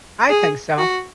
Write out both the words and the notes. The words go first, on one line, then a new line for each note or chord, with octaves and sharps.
I think so.
G#4
F#4